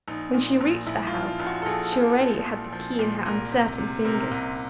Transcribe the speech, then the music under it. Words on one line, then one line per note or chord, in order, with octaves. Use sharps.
When she reached the house, she already had the key in her uncertain fingers.
A#1 D#4
A#2
A#1
A#1 E4
F4
F3
F4
A#1
F#4
A4
A#1 G#4
F3
A#1
A#2
F3
A#2
C2 A#4
C3
C3
C3 A#4
C2